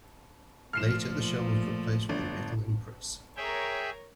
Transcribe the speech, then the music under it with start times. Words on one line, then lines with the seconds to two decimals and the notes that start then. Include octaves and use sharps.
Later the shell was replaced with a metal impress.
0.73 A#2 F3 A3 F6 C7 E7
2.09 G1 D4
3.37 G#4 A#4 C#5 E5 G5